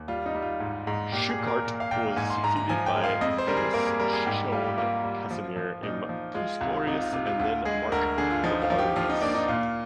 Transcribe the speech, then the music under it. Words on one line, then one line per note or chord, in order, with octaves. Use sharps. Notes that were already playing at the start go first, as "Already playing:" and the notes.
Schuckardt was succeeded by Denis Chicoine Casimir M. Puskorius and then Mark Pivarunas.
Already playing: D#2
G3 F4
D#4
G3
F4
G#2
G#2
A#2 G4
G#4
A#2
A#4
A#2
F5
A#2 G5
G#2 G#5
C6
G#2 A#5
A#5
F3 G#5
G5
G#3
F5
F2 D#5
C5
G3 A#4
G#4
A#3 A#4
G#4
G3 A#4
G#4
G#2 G4
G3 F4
G4
A#3 F4
G3
F3
F3
A#2 D#4
F3
G#3 F4
C2 F4
C3 D#4
F4
C3 F4
F4
D2 F4
G#3 G#4
D2 A#4
D3 G#4
F4
F3 D#4
F4
F3
G4
F3 F4
D#4
A#3 D4
D#4
A#2 F4